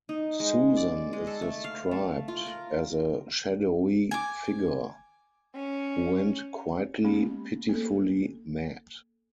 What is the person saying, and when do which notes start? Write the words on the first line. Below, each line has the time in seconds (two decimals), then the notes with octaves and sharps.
Susan is described as a "shadowy figure" who went "quietly, pitifully, mad".
0.09 D#4
0.40 G#3
0.77 D5
1.13 G#3
1.27 A4
1.42 A3
1.64 F5
1.91 A3
2.28 F4
2.46 A#4
4.11 G#5 D6
5.56 C#4
7.04 G#3 A#3 B3 C#4 G4
7.69 A#3 A4